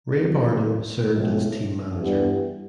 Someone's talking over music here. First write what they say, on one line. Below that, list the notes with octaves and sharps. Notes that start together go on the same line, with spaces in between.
Ray Barnum served as team manager.
F2 C#3 F#3
B1 A2 F3 G#3
G2 E3 G3 B3